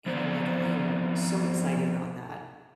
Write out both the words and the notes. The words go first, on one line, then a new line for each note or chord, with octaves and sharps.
and I'm like, "I am so excited about that."
F3 B3 C4 C5 D5